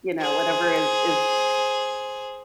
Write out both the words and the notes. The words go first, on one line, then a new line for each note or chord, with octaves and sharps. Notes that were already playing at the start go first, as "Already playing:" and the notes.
you know, whatever is is
G#4 C5